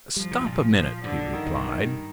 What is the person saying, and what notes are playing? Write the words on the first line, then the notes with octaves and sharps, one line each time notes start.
"Stop a minute!" he replied.
F3 G3
C3
G#2
A#2
F3
G2 D3
D#3
G#2
G2